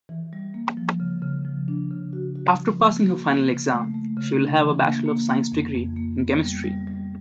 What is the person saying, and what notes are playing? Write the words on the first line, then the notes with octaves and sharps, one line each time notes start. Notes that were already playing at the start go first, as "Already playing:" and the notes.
After passing her final exam she will have a bachelor of science degree in chemistry.
E3
G3
A#3
F3
C#3
C#3
F3
D4
C#3
F#4
F#4
F3
A#3
F#4
A#3
C#3
A3
A3
C#3
D4
E3
A#3
A#3
A#3
F2
F2
A#3
B3
G3
G3
G3